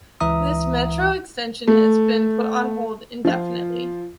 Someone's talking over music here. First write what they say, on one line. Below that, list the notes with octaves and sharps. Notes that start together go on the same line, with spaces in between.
This Metro extension has been put on hold indefinitely.
C#2 E3 E5 A#5 D#6
A3
F3 F4